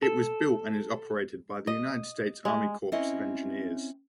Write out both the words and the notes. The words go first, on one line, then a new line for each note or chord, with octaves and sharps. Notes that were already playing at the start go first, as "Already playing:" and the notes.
It was built and is operated by the United States Army Corps of Engineers.
A4
D#5
G#3
C4 C#4 E4 D#5